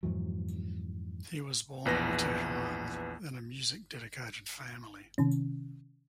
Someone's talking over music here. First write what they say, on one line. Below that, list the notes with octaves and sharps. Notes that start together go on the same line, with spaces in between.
He was born in Tehran in a music-dedicated family.
F2 G#2 E3 F#3
A#1 E2 B4 A#6
C3 D#3 C#4